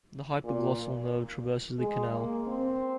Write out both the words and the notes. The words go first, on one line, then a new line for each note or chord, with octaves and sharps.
The hypoglossal nerve traverses the canal.
A#2
G#3
A#3
C4